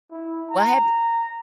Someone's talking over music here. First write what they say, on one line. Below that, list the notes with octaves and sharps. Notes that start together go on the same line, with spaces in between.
Well, have y
E4
A#5